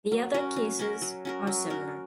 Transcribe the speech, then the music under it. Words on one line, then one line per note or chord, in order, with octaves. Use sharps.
The other cases are similar.
F#3
C#4 F#4 A#4
F#3
C#4 F#4 A#4
F#3
C#4 F#4 A#4
F#3
C#4 F#4 A#4